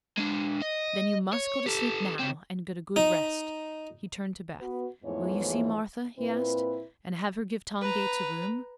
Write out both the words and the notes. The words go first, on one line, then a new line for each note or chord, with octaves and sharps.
"Then you must go to sleep now, and get a good rest." He turned to Beth. "Will you see Martha," he asked, "and have her give Tom Gates a room?"
G#3 D4
D#5
C#5
G4 A4
C#3 C4
D#4
B3 F#4 B4
E2 G#2 E3 F3 A3 C#5
A#2 C4 E4 B4
B4 A#5